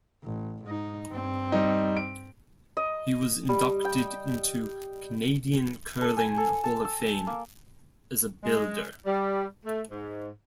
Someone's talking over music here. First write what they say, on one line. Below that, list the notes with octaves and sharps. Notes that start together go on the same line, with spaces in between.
He was inducted into Canadian Curling Hall of Fame as a builder.
A1
G#2 D#4
G2 C4
G3 D#4
D7
D#5
G3
G5
A4
G#5
A4
A5
E6
A#3
G#3
G3
A3
G#2